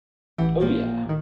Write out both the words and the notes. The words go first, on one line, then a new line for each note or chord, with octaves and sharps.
Oh, yeah,
A1 E3 G4 F#5
A#2 F3 A#3
A1 D#3